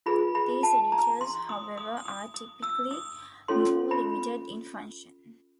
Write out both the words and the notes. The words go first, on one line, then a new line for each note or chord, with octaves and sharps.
These editors, however, are typically more limited in function.
F4 G#4 B4 B5
B5
A5
A#5
C6
D#6
D#6
D#6
D#6
E6
D#6
C#4 F4 A4 C#5 C6
B5